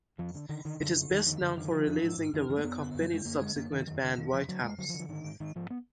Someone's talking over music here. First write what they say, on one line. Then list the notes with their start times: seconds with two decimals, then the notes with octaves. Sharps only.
It is best known for releasing the work of Bennett's subsequent band, Whitehouse.
0.18 F2 F3
0.35 D3
0.49 D3 D#3
0.65 D3 D#3
0.80 F#2 D3
0.96 D3
1.10 F2 D#3
1.26 D3 D#3
1.41 F#2 D3
1.56 D3 D#3
1.71 D3 F3
1.87 F2
2.03 G#2
2.17 G#2
2.33 F#2 D#3
2.49 F#2 D#3
2.58 A#3
2.64 F#2 B3
2.80 D3
2.94 F#2
3.00 F#3
3.10 D3 G#3
3.25 F#2 A#3
3.41 D3 G#3
3.55 F#2 A#3
3.71 F#2 D#3
3.87 F2 D#3
4.02 F2 D3
4.17 F2 D#3
4.32 D3 F3
4.48 D3 F#3
4.63 F2 G#3
4.78 D3 F#3
4.89 F3
4.94 D3
4.99 F3
5.09 G#2 D#3
5.24 G#2
5.40 G#2 D#3
5.55 G#2 F3
5.70 B3